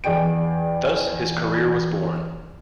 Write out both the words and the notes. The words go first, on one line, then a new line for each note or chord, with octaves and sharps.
Thus, his career was born.
E2 G#4 D5 G5 D7